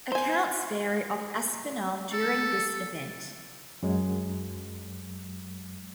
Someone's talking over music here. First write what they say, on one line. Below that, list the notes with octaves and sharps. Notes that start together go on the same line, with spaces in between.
Accounts vary of Aspinall during this event.
C5 G#5
A4
F#2 F#3 G#3